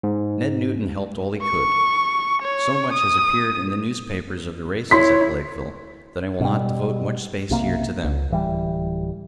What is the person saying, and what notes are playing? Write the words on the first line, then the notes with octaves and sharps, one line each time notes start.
Ned Newton helped all he could. So much has appeared in the newspapers of the races at Blakeville that I will not devote much space here to them.
G#2
C#6
C#5
D#6
E4 C#5 C6 B6
B2 G3
B1 C3 F3 A#3
C#2
D1 E3 G3